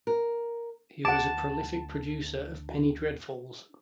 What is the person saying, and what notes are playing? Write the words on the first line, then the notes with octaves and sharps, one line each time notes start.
He was a prolific producer of penny dreadfuls.
A#4
D2 F#5 A5 D6